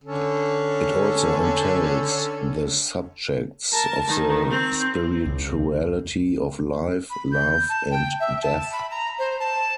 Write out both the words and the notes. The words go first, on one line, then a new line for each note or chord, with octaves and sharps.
It also entails the subjects of the spirituality of life, love and death.
D3 C#4 A4
A#4 A5
D#3
C4
C#2
B5
G6
A5
G5
E5
A5
B5
A#5
C5
A5